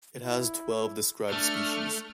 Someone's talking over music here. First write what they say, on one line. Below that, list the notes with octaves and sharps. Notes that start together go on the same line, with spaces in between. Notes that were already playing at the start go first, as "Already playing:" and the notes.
It has twelve described species.
E4
A3 D4 F6 C#7